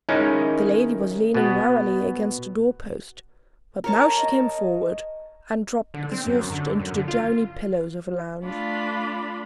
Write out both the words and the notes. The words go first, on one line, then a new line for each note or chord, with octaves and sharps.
The lady was leaning wearily against the door-post, but now she came forward, and dropped exhausted into the downy pillows of a lounge.
D#3 G#3 C#4 D#4 E4 A#4
B2 B3
A#4 C#5 A5
D#5
D3
C4
F#2
D3
F#2
D3
F4
A3 D4 F4 B5